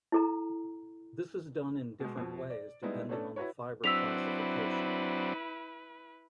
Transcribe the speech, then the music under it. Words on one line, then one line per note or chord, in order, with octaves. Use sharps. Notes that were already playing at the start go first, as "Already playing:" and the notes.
This is done in different ways depending on the fiber classification.
E4 A4 A#5
B2 G#3
F2 B2
D5
G3 G#3 B3 D#4 E4
A3 B3 C#4 D4 A4
E4 F#4 B4 C#5
F#3 C4 D4 E4 B4 E6 B6 F7